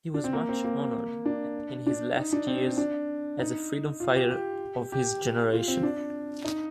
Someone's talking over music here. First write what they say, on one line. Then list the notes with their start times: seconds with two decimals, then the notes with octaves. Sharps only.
He was much honoured in his last years as a freedom-fighter of his generation.
0.14 D4
0.24 C4
0.33 A#3
0.49 C4
0.64 A#3
1.25 D4
1.87 D4
2.17 D#4
2.33 D4
2.47 C4
2.77 D4
3.39 D#4
4.00 F4
4.16 G4
4.31 G4
4.92 G4
5.53 F4
5.68 C4
5.83 D4
6.45 D#4